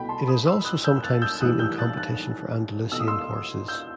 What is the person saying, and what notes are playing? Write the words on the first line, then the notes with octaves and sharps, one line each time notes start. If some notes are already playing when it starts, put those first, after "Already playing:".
It is also sometimes seen in competition for Andalusian horses.
Already playing: C2 B2 A3 G5 B5
A5 C6
B5 D#6
C6 E6
D#6 F#6
E6 G6
F#6 A6
E6 G6
B1 A2 E3 G3 D#6 F#6
E6 G6
F#6 A6
F#6 A6
E2 B2 A3 E6
D#6
C6 E6
E6 G6